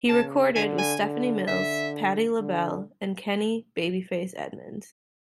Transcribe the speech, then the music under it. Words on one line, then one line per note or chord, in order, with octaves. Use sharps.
He recorded with Stephanie Mills, Patti LaBelle, and Kenny "Babyface" Edmonds.
C#3 A5
D3 G#5
G#5
D3
D3 E5
D3